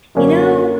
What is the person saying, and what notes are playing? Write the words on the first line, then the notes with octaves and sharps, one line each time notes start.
"You know,
F#2 D3 F#3 A#3 C#4